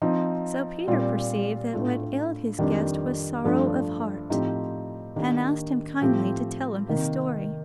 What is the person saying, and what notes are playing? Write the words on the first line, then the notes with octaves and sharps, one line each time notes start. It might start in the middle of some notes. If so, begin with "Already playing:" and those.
So Peter perceived that what ailed his guest was sorrow of heart, and asked him kindly to tell him his story.
F3 C4 D#4
A#2 G3 C4 F4
A2 A3 D4 F4
F2 D#3 G3 D4 G4
G2 F3 A3 D4
A2 F3 C4 D#4 G4
D#3 A#3 D4 G4
A2 F3 C4 G4
C3 D#3 A#3